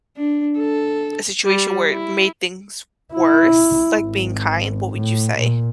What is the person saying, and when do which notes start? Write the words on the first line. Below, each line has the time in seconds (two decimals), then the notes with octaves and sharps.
a situation where it made things worse, like being kind, what would you say?
0.17 D4
0.58 A4
1.45 G3
1.89 E4
3.14 E4
3.99 G#1
4.96 A2
5.37 A#2